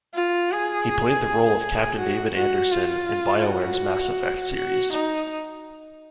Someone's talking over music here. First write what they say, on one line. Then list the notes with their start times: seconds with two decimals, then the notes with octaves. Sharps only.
He played the role of Captain David Anderson in BioWare's "Mass Effect" series.
0.14 F4
0.51 G#4
1.98 F#4
2.36 F#4
2.72 F4
3.45 F#4
4.56 F#4
4.93 D#4